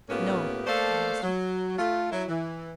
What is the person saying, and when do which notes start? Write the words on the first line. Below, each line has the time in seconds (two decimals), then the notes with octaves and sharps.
"No!" said the master.
0.09 A2 A#3 B3 C#4 F4 G4
0.67 A3 A#3 A4 C5 D5 F5
1.23 F#3
1.78 A3 F4
2.12 F#3 E4
2.28 E3